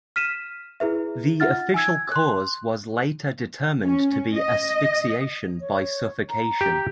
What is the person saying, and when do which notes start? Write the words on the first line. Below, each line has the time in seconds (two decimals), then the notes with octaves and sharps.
The official cause was later determined to be asphyxiation by suffocation.
0.16 F6 B6 D#7 E7
0.80 E4 G#4 B4 E5
1.40 D#4 F4 E5 F#5 F6 A6
1.74 G#5 E6 G#6
2.12 C6 F#6
3.82 C#4
4.35 D#5
5.60 C#5
6.28 A#5
6.61 G4